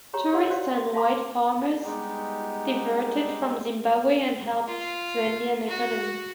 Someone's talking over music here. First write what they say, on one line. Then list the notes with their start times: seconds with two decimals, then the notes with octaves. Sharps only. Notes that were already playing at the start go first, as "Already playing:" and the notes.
Tourists and white farmers diverted from Zimbabwe and helped Zambian economy.
0.13 F#4 G4 C#5 A#5
0.33 G4 C#5 F5 F#5 C6
0.50 F#4 C5 D5 D#5 F5
0.73 E5 G5 C6
0.93 E5 F5 A5 A#5 C6 D6
1.83 G3 G#3 B3 D#4 G4
4.68 F4
5.68 F#4